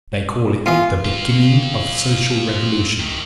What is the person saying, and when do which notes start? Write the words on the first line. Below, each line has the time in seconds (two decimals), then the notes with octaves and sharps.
They call it the beginning of social revolution.
0.66 E3 B3 F4
1.05 C4 F4
3.00 C3 D#3